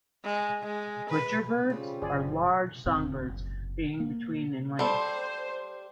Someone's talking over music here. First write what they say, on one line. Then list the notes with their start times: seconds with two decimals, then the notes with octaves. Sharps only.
Butcherbirds are large songbirds, being between in length.
0.24 G#3
0.63 G#3
1.09 B4
1.70 C#3 G3 C4 F4
2.02 F#1 G#4 D5
2.86 D#1 D2 G#2 C4
3.29 F#1
4.00 A#3
4.79 G3 A4 C5